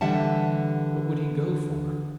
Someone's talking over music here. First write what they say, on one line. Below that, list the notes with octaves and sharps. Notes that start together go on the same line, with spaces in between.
"What would he go for?"
D3 E3 G3 E5 F#5 A5